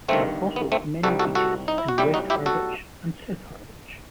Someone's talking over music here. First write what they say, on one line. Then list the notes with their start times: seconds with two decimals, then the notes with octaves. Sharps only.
There are also many beaches in West Harwich and South Harwich.
0.08 G1 G2 D#3 A3 C4
0.56 B3
0.72 A3 C4
1.03 C2 C3 D#3 G3 F#4 A4
1.19 F#4 A4
1.35 F#4 A4
1.68 D#4
1.78 E4
1.88 F#4
1.98 B1 A2 G3 E4 G4
2.14 D#4 F#4
2.30 E4 G4
2.46 F#4 A4